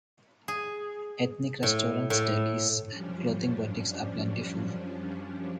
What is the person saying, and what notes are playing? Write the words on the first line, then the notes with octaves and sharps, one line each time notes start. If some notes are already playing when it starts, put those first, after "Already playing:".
Ethnic restaurants, delis, and clothing boutiques are plentiful.
G#4
A2
A2
F#2 F3 G3 C#4 D4